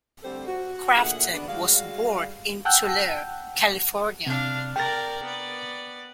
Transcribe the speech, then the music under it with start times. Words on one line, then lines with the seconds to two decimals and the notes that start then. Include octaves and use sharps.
Crafton was born in Tulare, California.
0.23 D3 G3 A3 C4 A4 C5
0.47 F#4
0.96 D2 A#2 G#4 E5 F#5
1.34 B3 D4
1.48 G3 G#3 F#4 F5
2.65 F#5 G5 A5 E6 F#6 G6
4.26 C3 D4 F5
4.76 A#4 D5 G5 A6
5.23 B3 D5